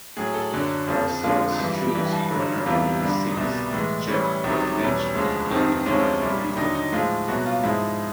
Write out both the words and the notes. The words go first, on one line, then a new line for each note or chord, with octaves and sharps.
Parcells chose Brunner over Simms, Jeff Rutledge and Mark Reed.
A2 F#3 G#4
A4
F#2 D3 F#3
F2 C#3 F3
F2 D3 F3 G#3 F4
G2 E3 G3
G2 E3 G3
G2 D3 F#3
E2 C3 E3 G3 F4
G2 D3 G3
C2 B2 G3
A2 E3 G#3
A2 E3 G3 C#4
C2 C3 D#3 F#3
E2 B2 G3 C#4
D2 C#3 F3 G#3
F2 C3 D#3 C4
D2 C3 F3 G#3 C#4
C2 A#2 G3
D#2 D3 F#3 D#4
D#4
A2 F3 G#3 F4
C2 B2 F#3 F#4
F4
G#2 F3 G#3 E4